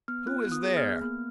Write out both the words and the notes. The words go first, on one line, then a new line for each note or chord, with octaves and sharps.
Who is there?
B3 F6
F4 F#6
B3
D#6
G#4
F6
B3
A#3 F6